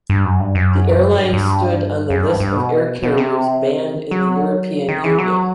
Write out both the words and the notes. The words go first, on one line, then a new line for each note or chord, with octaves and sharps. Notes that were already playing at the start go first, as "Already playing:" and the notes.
The airline stood on the List of air carriers banned in the European Union.
G2
F#2
G2
F#2
G2
G2
F#2
G2
G2
B2
B2
C3
D#3
F#3
D#3
E3
F#3